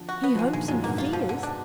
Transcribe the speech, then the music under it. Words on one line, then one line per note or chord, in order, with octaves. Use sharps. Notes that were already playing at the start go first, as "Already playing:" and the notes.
'He hopes and fears.
Already playing: D3 F3
F#4
B3
F3 G#3
D#3
A#2 D3 G#3
F#2 A#2 G#3
G#2 B2 A#3
F4
F3
D3
D4